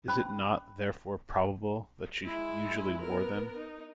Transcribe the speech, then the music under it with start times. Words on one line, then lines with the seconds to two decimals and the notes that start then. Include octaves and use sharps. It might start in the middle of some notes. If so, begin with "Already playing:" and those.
Is it not, therefore, probable that she usually wore them?
0.08 C#4 B5
2.24 G#3 E4
3.02 B3 A#4
3.56 D#4